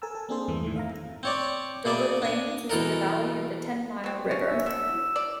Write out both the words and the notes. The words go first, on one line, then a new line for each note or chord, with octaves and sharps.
Dover Plains is in the valley of the Ten Mile River.
A4 A#4 G#5 A5 E6
A4
A#3 C4 D4 G#4 A4 C5
E2 G2 E3 A3
A2 D#3 E3 A3
E5 F5 A#5
C4 C#5 D5
B2 G#4 D5 E5
D4 G#5
B2 E3 A4 A#4
F#3 C4
C#4
E5
D3 E6
D5